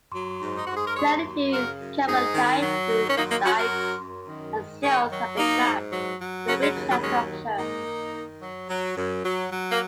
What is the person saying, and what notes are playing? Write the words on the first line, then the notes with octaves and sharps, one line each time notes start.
Thirty-two carbonatite dikes and sills have been mapped within the Richat Structure.
F#3
G#2
D#4
G#2 F#4
G#4
A#4
D#2 G#4 C#5
F#3
C#3 F#4 A#4
F#2
G#2 D#4 G#4
D#3
F#3
D#3
C#4
F#3 A#3 D#4
A#3 D#4
F#3 C#4 F#4
F#4 A#4
F#2
F#2
D#3
G#2
D#3 G#4 C#5
F#3
F#3 A#3 D#4
G#2
F#3
F#3
C#3 C#4 F#4
G#3 C#4
D#2
F#3 A#3
F#3 G#3 C#4
D#3
G#2 A#3 D#4
D#3
D#3
F#3
F#3
F#2
F#3
F#3
A#3